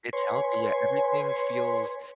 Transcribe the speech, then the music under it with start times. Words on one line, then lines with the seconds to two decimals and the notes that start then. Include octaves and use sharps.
it's healthy, yeah, everything feels
0.13 B4 C#5 G#5 C6